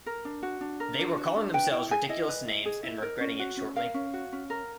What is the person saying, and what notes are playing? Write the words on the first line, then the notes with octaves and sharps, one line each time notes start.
They were calling themselves ridiculous names and regretting it shortly.
A#4
D4
F#4
D4
A#4
D4
F#4
D4
B4 G5
E4 G5
G#4 G#5
E4 D#5
B4
E4
G#4
E4
A#4
C#4
F#4
C#4
A#4 F5
C#4
F#4
C#4
A#4